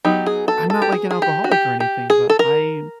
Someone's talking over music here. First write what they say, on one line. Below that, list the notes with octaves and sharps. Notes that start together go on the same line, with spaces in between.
I'm not like an alcoholic or anything, but I
F#3 B3 D#4 G4
G#4
A4
A4
G4
G#4
G#4
G4
F#4
G4
G4
G#4
A4
A#4